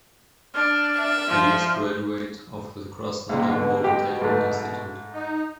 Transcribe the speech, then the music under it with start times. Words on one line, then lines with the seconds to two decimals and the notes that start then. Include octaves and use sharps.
He is a graduate of the Krasnodar Polytechnic Institute.
0.54 D4 F6
0.97 E5
1.28 F3
3.29 C#2 A#2 G#3
3.48 G#2 B2 D3
3.84 G#3 G4
4.22 G#2 A3
5.12 D#4